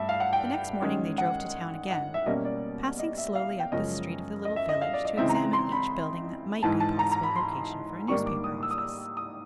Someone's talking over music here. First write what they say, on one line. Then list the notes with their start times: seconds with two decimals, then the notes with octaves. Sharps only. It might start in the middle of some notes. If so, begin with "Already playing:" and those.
The next morning they drove to town again, passing slowly up the street of the little village to examine each building that might be a possible location for a newspaper office.
Already playing: G2 A3 E5 A5
0.09 F5
0.20 F#5
0.33 G5
0.82 D#3 G#3 C#4
1.18 F#5
1.91 F#5
2.14 E5
2.26 B2 G3 A#3 C#4 D#5
2.45 D5
2.99 D#5
3.18 E5
3.35 F5
3.60 G5
3.72 F#2 C#3 F3 G#3 C#4 D#5
4.45 D#5
4.56 E5
4.69 D#5
4.82 F5
4.94 D5
5.05 D#5
5.17 C#3 E3 G#3 C4 D#4 E5
5.29 A#5
5.53 C6
5.72 B5
6.63 G#2 E3 G#3 A5
6.80 A5
6.99 A#5
7.12 A#5
7.23 B5
7.36 C6
8.08 G#2 D#3 G3 A#3 D4 C#6
8.26 D6
8.44 D#6
8.63 E6
8.71 D#6
8.78 E6
9.17 D#6